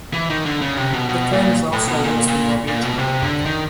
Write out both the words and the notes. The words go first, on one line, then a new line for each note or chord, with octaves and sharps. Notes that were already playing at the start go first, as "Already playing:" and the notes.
The term is also used in Norwegian.
E3
D#3
D3
C#3
C3
B2
B2
A#2
A2
B2
A#2
A#2
A#2
B2
C3
D3
D#3